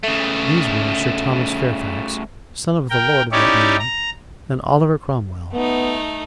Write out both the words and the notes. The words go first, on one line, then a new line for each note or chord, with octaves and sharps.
These were Sir Thomas Fairfax, son of the lord of that name, and Oliver Cromwell.
C#3 A3
A#4 G5
C#4 D#4 E4 G4 C#5 D5
A#5
A3 B3 D#4